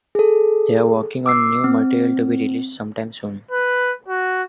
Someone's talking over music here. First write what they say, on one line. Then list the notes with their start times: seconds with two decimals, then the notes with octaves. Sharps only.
They are working on new material to be released sometime soon.
0.15 G#4 A4
1.26 D6 E6 C7
1.64 C4
3.51 B4
4.08 F#4